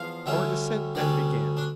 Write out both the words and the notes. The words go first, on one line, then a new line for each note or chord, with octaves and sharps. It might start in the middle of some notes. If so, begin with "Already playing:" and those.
Our descent then began.
Already playing: E2 F3 F5
D2 D3 G3 C#4 E5
D2 D3 G3 C#4 D5
D4